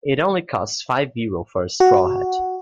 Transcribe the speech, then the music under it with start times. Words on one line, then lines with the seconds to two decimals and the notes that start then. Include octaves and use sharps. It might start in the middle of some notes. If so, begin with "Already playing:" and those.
It only costs five Euro for a straw hat.
1.80 F#4